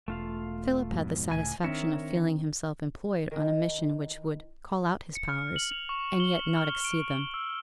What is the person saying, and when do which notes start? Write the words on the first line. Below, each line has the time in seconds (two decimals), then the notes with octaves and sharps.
Philip had the satisfaction of feeling himself employed on a mission which would call out his powers, and yet not exceed them.
0.08 E1 A3 F4 F5
0.91 F2 G#2 B2
1.31 C#2 A2 G#5
1.64 D#3 C4 D4 A#4 C#5 E5
3.31 D#3 E3 A#4
5.15 C#7
5.29 F6
5.56 F#7
5.72 F7
5.89 C#6
6.20 G7
6.57 F6
6.84 D7
7.11 G7
7.34 E6